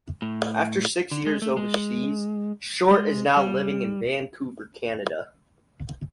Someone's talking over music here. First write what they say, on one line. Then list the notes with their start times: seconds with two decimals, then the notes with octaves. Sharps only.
After six years overseas, Short is now living in Vancouver, Canada.
0.22 A2
1.11 D3
1.26 G#3
1.42 A3
1.57 G#3
2.91 G#3
3.37 G3